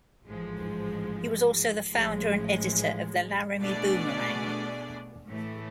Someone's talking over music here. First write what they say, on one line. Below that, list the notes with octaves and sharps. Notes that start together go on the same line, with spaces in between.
He was also the founder and editor of the "Laramie Boomerang".
A1 G#2 F3 G#3
A1 A2 F3 G#3
B2 A3 D4 G#4 D5
A2 E3 A3